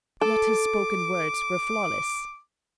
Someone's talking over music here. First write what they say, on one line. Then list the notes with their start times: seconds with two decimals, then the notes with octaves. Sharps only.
Yet his spoken words were flawless.
0.21 A4 D6